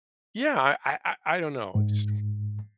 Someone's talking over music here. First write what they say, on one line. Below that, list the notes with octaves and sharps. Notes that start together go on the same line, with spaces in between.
Yeah. I I I I don't know. S
G#2